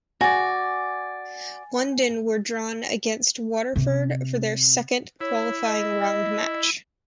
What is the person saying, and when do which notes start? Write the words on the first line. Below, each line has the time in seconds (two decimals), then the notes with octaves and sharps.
London were drawn against Waterford for their second qualifying round match.
0.21 F#4 D5 G#5
3.76 C3
5.21 E4 C#5
5.67 D#5